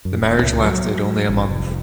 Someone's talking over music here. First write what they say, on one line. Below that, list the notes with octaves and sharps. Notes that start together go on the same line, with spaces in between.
The marriage lasted only a month.
F#2
D#1
C#2
F#3
A1
F1